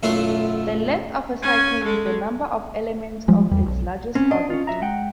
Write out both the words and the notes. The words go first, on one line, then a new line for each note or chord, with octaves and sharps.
The "length" of a cycle is the number of elements of its largest orbit.
B1 F#2 A3 E4 F4 C6
C#4 G#5
G#3 A4
F3 G3 G#3
E2 G3
B1
C4 C#4
D4 D#5
C#4 F4
F#3 E5 A#5
G#3 F#5 G5